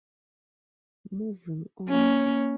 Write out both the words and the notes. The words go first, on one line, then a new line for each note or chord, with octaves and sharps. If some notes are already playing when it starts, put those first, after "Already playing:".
Moving on.
A#3 C#4